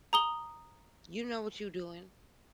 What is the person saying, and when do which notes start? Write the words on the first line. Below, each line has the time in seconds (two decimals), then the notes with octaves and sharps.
You know what you doing.
0.13 A#5 D#6 G7